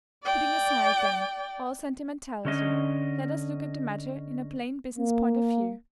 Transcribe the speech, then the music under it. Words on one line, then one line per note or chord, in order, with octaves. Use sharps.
Putting aside, then, all sentimentality, let us look at the matter in a plain business point of view.
D5 G5
D3 C#4 D#5
A#3